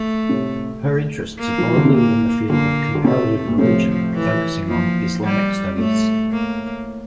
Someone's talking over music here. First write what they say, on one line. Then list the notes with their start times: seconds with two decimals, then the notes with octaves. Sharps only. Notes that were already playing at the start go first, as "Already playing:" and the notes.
Her interests are broadly within the field of Comparative Religion focusing on Islamic studies.
Already playing: A3
0.29 A2 C3
1.39 A#3
1.58 F3
1.67 E3
1.76 D3
1.85 C3
1.94 A#2 A#3
2.49 A#2 D3 A#3
2.95 D3
3.04 A2 C3 A3
3.48 A#2
3.59 A2 C3 F3
4.14 E3
4.68 A#2 F3
5.24 G3
5.78 A2 A3
6.32 A#3